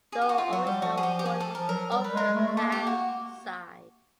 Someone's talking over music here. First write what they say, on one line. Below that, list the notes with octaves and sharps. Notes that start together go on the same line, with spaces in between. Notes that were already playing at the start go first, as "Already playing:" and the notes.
The original fort was open on the land side.
G#4
G4
F#4
F4
F#3 F#4
G3 G4
F3 F#4
G#4
G4
G4
G#4
A4
F3 A#4
F#3 A#4
G3 A#4
B4
G#3 A#4
A3
A3
A#3 A4
G4
A#3
F#4